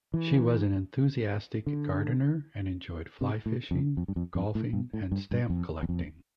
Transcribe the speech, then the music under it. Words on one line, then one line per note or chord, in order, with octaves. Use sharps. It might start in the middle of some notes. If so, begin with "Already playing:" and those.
She was an enthusiastic gardener, and enjoyed fly-fishing, golfing, and stamp collecting.
E3
D3
C3
A2
F2
F2
G2
F2
F2
A2
G2
A2
G2
G2
F2
E2
F2